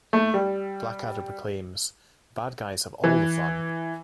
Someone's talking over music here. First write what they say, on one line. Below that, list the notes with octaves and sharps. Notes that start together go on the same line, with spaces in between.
Blackadder proclaims, Bad guys have all the fun.
A3
G3
E3